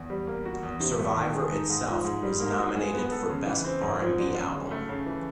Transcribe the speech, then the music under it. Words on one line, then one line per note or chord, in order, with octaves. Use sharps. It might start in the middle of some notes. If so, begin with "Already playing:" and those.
"Survivor" itself was nominated for Best R and B Album.
Already playing: E2
G3
A#3
F#4
E2
C3
A3
D#3
G#3
D#4
G#2
F3
G#2
G3
A#3
F#4
G#3
B3
A4
C#3
E3
C4
G#2
F3
D4
F#2
C#3
A3
C#3
E3